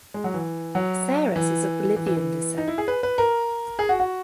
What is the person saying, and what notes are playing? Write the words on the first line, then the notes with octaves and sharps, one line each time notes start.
Caceres is of Bolivian descent.
G#3
F#3
E3
F#3
E3
E3
E3
E3
D#4
E4
G#4
B4
B4
A#4
G#4
F#4
F#4